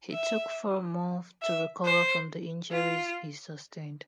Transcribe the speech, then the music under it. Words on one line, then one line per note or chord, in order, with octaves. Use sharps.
He took four months to recover from the injuries he sustained.
E5
E5
C5
F4